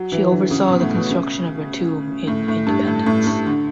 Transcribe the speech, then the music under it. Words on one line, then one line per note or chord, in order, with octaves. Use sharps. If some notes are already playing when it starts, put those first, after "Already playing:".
She oversaw the construction of her tomb in Independence.
Already playing: F#3
E3
D3
C#3
B2
A2
B2
C#3
A2
A2
G2
A2
A2
A2
D3